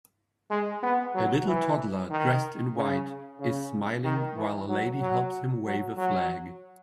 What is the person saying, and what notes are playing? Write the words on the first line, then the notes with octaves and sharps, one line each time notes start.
A little toddler dressed in white is smiling while a lady helps him wave a flag.
G#3
B3
F#3
E3
D#3
C#3
C#3
D#3
E3
F#3
F#3
F#3
F#3